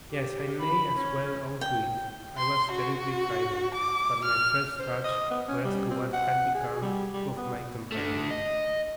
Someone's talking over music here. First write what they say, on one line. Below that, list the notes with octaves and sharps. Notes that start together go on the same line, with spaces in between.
Yes, I may as well own to it: I was terribly frightened, but my first thoughts were as to what had become of my companions.
G4
B5
C#4
G5
C6
F#4
D6
F6
C5
D#5
B3
C#4
G3
C4
F#5
G#4
G3
G3
B3
D3 A3
D#5